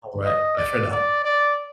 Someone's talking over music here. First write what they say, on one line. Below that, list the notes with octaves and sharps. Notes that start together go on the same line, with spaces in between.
All right, bye for now.
D#5
D5
D5
D5